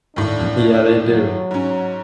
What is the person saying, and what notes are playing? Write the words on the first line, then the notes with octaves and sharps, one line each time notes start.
Yeah, they do.
D#2 A2 D4
F#3
G#2 C#4